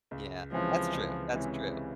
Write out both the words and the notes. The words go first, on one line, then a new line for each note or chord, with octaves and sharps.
Yeah, that's true, that's true.
C#2
C3 E3 F3 G#3 C#4
C#2
C3 E3 G#3 C#4